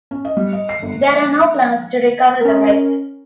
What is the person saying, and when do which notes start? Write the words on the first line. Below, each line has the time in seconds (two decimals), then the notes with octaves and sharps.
There are no plans to recover the wreck.
0.11 C#4
0.25 D#5
0.37 G3
0.53 D#5
0.69 C7
0.82 G1
2.41 C#4 A#4